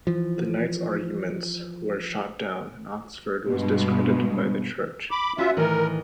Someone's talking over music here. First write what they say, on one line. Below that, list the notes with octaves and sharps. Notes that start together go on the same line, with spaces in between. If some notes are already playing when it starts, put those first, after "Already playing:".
The knights' arguments were shot down, and Oxford was discredited by the Church.
E3 F3
G2 B2 G#3
B5 D6
C#4 F4 F#4 G#4 E5
A2 D#3 E3 A#4